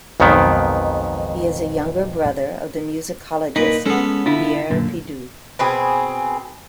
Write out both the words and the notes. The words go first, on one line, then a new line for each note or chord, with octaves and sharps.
He is a younger brother of the musicologist, Pierre Pidoux.
B1 F2 G#2 D#3 B3
A#2 D#4 B4
G#3 B3 C#4 G#4 A4
D3 D4 E4 F4
F#2 A#2 D3
B2 C4 G#4